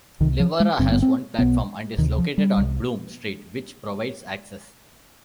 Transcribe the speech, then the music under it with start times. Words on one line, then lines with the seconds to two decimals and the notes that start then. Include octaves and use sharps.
Leawarra has one platform, and is located on Bloom Street, which provides access.
0.20 C2 C3 D#3
0.40 F3
0.60 G#3
0.79 G#1 G2 D3 C4
0.92 B3
1.02 C4
1.39 B1 B2 B3
1.98 D2 C3 D#3
2.18 F3
2.38 G3
2.57 C2 C3